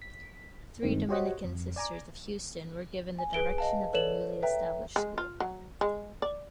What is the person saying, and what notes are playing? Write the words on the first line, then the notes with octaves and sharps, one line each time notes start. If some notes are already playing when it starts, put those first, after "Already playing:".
Three Dominican Sisters of Houston were given the direction of the newly established school.
B6
G2 D#3 G#3 C4
F#4 G4 C5 C#5 D#5 F#5
F2
D5 G#5 A#5 D6
G#5
G#4 B4 D7 G7
D#5 F5 A5
A4 B4 C#5 D5 E7 F#7
B4 E5 G5 A#5
G#3
F4
F#3
G#3
D5